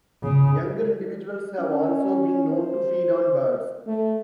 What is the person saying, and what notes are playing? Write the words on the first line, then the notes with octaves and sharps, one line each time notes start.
Younger individuals have also been known to feed on birds.
C#3
C#4
C5
A3